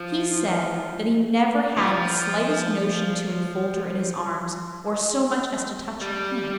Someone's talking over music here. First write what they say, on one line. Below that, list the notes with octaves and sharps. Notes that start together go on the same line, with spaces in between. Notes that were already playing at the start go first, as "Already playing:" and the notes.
He said that he never had the slightest notion to enfold her in his arms or so much as to touch her hand.
Already playing: F3
E3
F3
G3